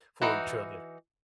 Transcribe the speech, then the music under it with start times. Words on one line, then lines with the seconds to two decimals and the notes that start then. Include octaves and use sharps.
for each other
0.22 E3 D#4 F#4